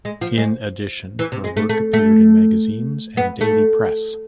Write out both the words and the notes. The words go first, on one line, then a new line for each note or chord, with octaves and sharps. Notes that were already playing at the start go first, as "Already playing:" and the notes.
In addition her work appeared in magazines and daily press.
G#3
F3
G#3
E3
C3
G#3
A3
A3
A3
B3
A3